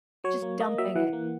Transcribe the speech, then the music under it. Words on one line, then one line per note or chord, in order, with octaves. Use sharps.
just dumping it?
F#3 C#5
A#3
A#3 D#5
F#3 E5
E3 F#5
A#3